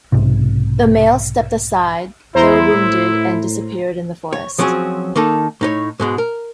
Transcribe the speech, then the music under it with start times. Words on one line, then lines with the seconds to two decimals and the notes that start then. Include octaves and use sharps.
The male stepped aside, though wounded, and disappeared in the forest.
0.12 B1 G#2 C3
2.35 E2 E4 C5 A#5 C6
2.73 A2
4.33 C#5
4.59 F3 F#3 C4 C#4 G#4
5.16 D#3 A#3 D#4 A4
5.61 A2 D#4 C#5
6.00 G#2 B2 G#3
6.18 A#4